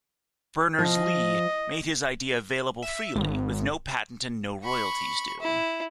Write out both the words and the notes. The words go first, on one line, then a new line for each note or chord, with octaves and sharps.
Berners-Lee made his idea available freely, with no patent and no royalties due.
F3 D#5
E5
G#1
B5 C#6
E4